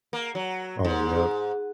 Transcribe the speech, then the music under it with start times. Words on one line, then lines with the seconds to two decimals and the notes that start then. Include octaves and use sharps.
Oh, yep.
0.13 A#3
0.35 F#3
0.85 G#2